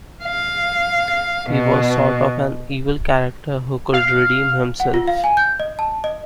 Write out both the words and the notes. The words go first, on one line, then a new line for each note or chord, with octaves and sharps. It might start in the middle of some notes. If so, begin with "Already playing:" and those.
He was sort of an evil character who could redeem himself.
F5
B2
F5
F#5
F4
F5
G#5
G6
D#5
A5
D#5